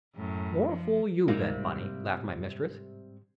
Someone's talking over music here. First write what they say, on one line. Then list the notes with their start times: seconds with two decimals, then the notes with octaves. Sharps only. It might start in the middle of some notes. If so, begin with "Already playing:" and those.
"More fool you, then, Bunny," laughed my mistress.
0.16 F#2 A2
0.66 F3
1.28 G#2 C3 G3 A#3